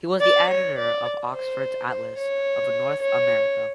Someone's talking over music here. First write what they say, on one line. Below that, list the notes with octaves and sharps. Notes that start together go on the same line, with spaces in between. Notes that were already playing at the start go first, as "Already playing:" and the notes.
He was the editor of Oxford's "Atlas of North America".
D5
C#5
D5
C5
C5
C#5
C#5